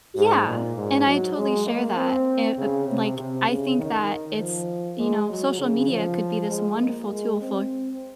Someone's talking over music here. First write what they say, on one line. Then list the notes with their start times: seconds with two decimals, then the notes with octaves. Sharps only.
Yeah, and I totally share that e uh, like, I think that it's You know, social media could be this wonderful tool for,
0.16 G#2
0.45 A#2
0.76 G#2
1.07 F#3
1.36 G#3
1.66 A#3
1.96 C4
2.58 C#3
2.87 C3
3.18 C3
3.48 C#3
3.78 D#3
4.38 F3
4.99 G#3
5.29 F#3
5.60 C#3
5.90 F3
6.50 G#3
6.80 A#3
7.10 G#3
7.41 C4